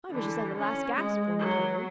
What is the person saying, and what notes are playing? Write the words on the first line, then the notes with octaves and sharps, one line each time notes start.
I was just at the last gasp when you came in.
D3 E3
C#4
G#3
F#3